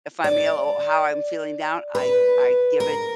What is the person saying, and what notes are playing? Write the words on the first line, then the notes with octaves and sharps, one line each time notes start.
if I'm ill or how I'm feeling down, I I give it
D5
B4
A#4